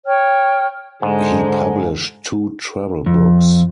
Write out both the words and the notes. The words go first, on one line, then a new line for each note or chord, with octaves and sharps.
He published two travel books.
C#5 G5 F6
G#2 D3 G#3 C5
F2